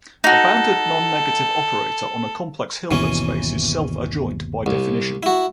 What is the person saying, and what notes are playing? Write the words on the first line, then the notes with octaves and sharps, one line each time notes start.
A bounded non-negative operator on a complex Hilbert space is self adjoint by definition.
D#4 F#4 A4
G1 D#2 B2 E3 C#4
C2
E4 F#4